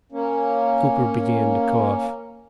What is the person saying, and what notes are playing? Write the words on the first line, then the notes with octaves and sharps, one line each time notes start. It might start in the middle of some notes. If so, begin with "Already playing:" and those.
Cooper began to cough.
A#3 C#4